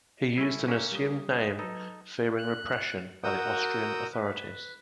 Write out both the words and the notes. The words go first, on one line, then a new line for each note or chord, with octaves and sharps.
He used an assumed name fearing repression by the Austrian authorities.
G3 C#4 E4 A4
A#3 C#4 E5
G3 G4 D#6
G#4
F#3 D#4 A4 B4
F#6
F#4 A#4 F#5 D#6 E6 G6
B4